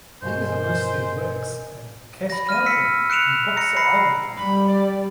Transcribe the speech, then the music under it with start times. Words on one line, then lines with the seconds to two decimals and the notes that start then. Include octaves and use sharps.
These are mostly of works in Cache County and Box Elder County.
0.23 G2 B2 A#4 C5 D#5 G#5
2.30 B5 A#6
2.49 F6 D#7
2.66 E6 B6 C#7
3.10 F#6 C#7 D7 E7 F7
3.56 A#5 A#6 C#7
3.77 B5 A#6 C7 C#7
4.37 G3 B5
4.67 D5